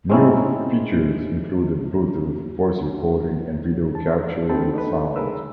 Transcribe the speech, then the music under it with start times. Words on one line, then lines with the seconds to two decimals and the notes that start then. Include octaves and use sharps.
New features included Bluetooth, voice recording, and video capture with sound.
0.10 G#3 C4 C#4 D#4 E4
3.95 A5
4.49 C4 F#4 A4 B4 G5 A5
4.74 D4 D#4 A4 B4
5.16 G#4 A#4 B4 E6